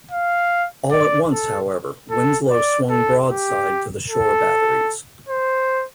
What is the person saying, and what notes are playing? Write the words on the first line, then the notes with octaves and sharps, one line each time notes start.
All at once, however, Winslow swung broadside to the shore batteries.
F5
D5
A4
A4
D5
A4
G4
A4
C5